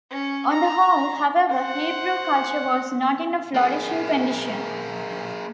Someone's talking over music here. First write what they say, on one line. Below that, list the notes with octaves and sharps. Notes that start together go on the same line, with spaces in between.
On the whole, however, Hebrew culture was not in a flourishing condition.
C#4
A#5
C5 F#5
A#3 G#4